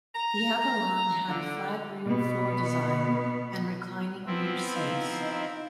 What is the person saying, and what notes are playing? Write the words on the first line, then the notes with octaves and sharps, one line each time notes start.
The Avalon had a flat rear floor design and reclining rear seats.
A#5
D3
B2 B3
F3 B3 C4 E4
D#4 F5